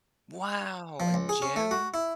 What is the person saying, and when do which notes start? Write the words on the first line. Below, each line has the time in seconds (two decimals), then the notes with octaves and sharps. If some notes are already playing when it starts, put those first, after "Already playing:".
Wow. A gym?
1.00 F3
1.14 C#2
1.29 G#4
1.42 C#4
1.56 A3
1.71 F#4
1.94 E4